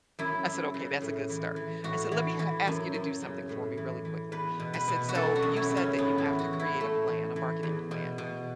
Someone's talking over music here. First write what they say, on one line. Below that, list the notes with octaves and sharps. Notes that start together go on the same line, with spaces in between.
I said, "Okay, that's a good start." I said, "Let me a ask you to do something for me really quickly." I said, "So, you said that you have to create a plan, a marketing plan,"
F#2 E4
F#2
C#3
A2
E3
E3
A2 F#4
E3
E3
F#2
F#2
C#3
A2
E3
E3
E2 B4
B2
B4
B2
F#4
F#2 A4
F#4
F#2
E4
C#3
C#4
A2 B3
E4
E3
F#4
E3
E4
A2 A3
E3
E3
E2
B2
B2